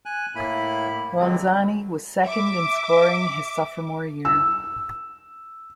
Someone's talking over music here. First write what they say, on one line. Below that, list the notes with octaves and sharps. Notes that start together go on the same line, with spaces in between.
Ronzani was second in scoring his sophomore year.
G#5 F#6
A2 A#3 E4 B5
D3 F3 F#3 G#3 C4
E5 D6
E6